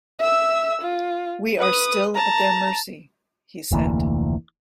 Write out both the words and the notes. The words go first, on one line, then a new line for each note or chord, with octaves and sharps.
"We are still at their mercy," he said.
E5 E6
F4
B4 D#6
A5 A#5
F1 D2 E3 A#3